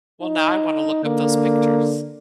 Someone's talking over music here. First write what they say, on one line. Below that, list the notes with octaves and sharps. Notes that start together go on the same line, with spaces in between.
Well, now I wanna look up those pictures.
D#4
D3 A#3